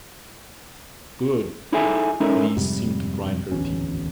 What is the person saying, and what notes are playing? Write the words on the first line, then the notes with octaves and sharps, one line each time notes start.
"Good," Lise seemed to grind her teeth.
D#4 E4 G#4 A4 E5 G#5
G#3 C#4 D#4 E4 A4 A#4
F2 G#2 C3 G3
D1 G#1 E2 C#4